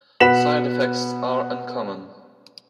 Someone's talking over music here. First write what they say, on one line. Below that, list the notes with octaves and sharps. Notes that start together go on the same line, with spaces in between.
Side effects are uncommon.
B2 B4 F#5 B6 E7 F#7